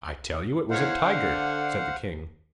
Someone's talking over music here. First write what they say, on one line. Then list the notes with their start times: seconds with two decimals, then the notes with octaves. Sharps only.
'I tell you it was a tiger,' said the king.
0.70 E2 D#3 C5 C#5 F5 F#5
1.01 D3